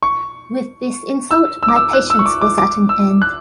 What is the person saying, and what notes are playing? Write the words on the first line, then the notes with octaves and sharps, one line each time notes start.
With this insult my patience was at an end.
C#6
E6
E6
D6
E6
F#6
E6
C#6
D6
D6
D6
E6
F#6